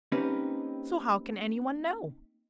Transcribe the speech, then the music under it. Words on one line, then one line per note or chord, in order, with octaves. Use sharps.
So how can any one know?
A#3 C4 C#4 D#4 G4 B4